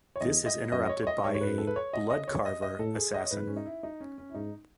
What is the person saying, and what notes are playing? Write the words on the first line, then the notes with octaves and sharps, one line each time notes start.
This is interrupted by a "Blood Carver" assassin.
C#5
E2 D#5
D#5
F#2 D#5
D#5
C#5
C#5
D#5
G#2 C#5
C#5
B4
A4
B4
C#5
D#5
D#5
C#5
D#5
D#5
A2 A4
G#4
D#5
C#5
G#2 B4
C#4
D#4
E4
D#4
C#4
C#4
E4
G#2 D#4